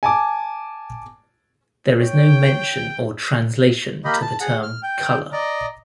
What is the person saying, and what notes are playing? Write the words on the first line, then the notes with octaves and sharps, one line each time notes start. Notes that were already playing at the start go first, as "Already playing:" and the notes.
There is no mention or translation to the term "color".
G#5 A5 D6
C#5 G5
A#3 G4 D#5 B5
A5
G#4 F#5
F6
G5
D5 D#5 A#5